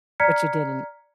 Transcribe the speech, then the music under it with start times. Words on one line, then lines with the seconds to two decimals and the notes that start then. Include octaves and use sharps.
But you didn't.
0.20 D5 A#5 F6 G#6 B6 C#7